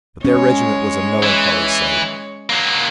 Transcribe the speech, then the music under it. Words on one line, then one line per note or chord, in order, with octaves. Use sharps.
But their regiment was a melancholy sight.
G#3 C#4 C#5
E3
F#3 A#3